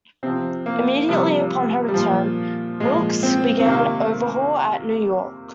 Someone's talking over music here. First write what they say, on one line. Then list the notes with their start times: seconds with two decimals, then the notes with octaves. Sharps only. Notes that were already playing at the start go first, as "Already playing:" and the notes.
Immediately upon her return, "Wilkes" began overhaul at New York.
0.23 C3 F3 C4
0.66 A#3
1.09 C3 F3 G3
1.88 G3
1.94 A#2 F3
2.80 A#2 F3 G#3
3.23 C4
3.59 C4
3.65 C3 D#3 A#3